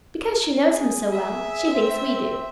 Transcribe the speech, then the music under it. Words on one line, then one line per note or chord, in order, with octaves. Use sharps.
"Because she knows him so well, she thinks we do."
G#4
E5
C4